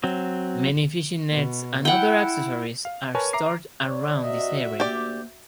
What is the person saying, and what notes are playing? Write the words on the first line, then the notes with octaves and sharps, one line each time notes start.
Many fishing nets and other accessories are stored around this area.
F#3 C4
B2
E4 F#5 G5
F5
A#4 B4 C#5 G#5 A5
E5 A#5 D6 C7
C#5 D5
C3 F#4 D#5 E5
D2 A#3 G4 D5 G6